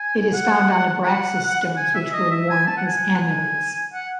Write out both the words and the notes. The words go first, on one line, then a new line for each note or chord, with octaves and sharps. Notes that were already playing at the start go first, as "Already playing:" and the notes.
It is found on Abraxas stones, which were worn as amulets.
Already playing: G#5
F#5
F#5
G#5
E5
D#5
E5
G#5
A5
F#5
G#5
F#5
G#5
F#5